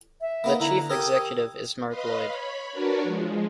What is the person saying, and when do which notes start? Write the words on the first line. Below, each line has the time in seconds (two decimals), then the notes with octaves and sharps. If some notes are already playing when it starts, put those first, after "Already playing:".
The Chief Executive is Mark Lloyd.
0.22 E5
0.44 A#3 B3 D#4
0.60 D3 E4 A#5
0.89 G4 A4 A#4 D#6 G#6
1.88 B4 D#5 F5 B5 C6
2.24 C#5 B5
2.72 D4 F#4 A#4 B4 C#5 D5
3.03 F3 G#3